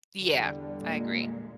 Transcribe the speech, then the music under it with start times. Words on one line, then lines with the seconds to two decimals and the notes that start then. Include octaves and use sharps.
Yeah. I agree.
0.18 E2 D3 G3
0.78 A#2 G#3